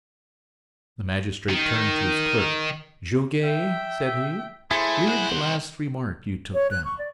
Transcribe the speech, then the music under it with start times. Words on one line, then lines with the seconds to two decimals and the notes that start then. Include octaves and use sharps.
The magistrate turned to his clerk: "Goguet," said he, "read the last remark you took down."
1.49 D#3
3.43 E5 G5
4.71 A3 E4 G#4 C5
5.07 C2 C5 F#5 F#6
6.54 C#5
6.71 F#6
6.85 C#6
6.99 D5